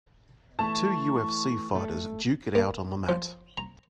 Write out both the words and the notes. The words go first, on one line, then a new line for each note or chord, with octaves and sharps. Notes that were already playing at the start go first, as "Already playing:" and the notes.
Two UFC fighters duke it out on the mat.
E3 A3 A5 C#6
A3 A4
A#3
F3
A#5